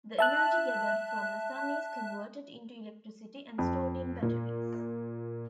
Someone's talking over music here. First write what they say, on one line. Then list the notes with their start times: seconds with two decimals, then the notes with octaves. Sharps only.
The energy gathered from the sun is converted into electricity and stored in batteries.
0.19 E5 A5 F#6
3.58 F2
4.22 A#2